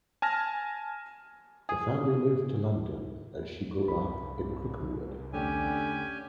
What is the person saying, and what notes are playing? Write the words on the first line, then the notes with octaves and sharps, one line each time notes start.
The family moved to London and she grew up in Cricklewood.
G#5 A5 F6 A#6
G#4
C2 B5
E2 D3 A3 C#4 G4 G5 G#5